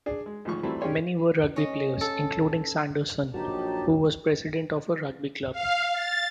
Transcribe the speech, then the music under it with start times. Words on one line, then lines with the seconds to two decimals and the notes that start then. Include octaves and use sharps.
Many were rugby players, including Sanderson, who was president of a rugby club.
0.06 D4 G#4
0.26 G#3
0.45 G#1 D2 F3 C#6
0.63 E3 F#3 G3 A3 C4 E4
0.81 C#4 D4 G4 G#4 C#5 C6
1.56 C#4 D#5
2.01 A4
3.34 A#1 F#3 D#4 F#4 G4 A5
5.52 F5
5.93 A6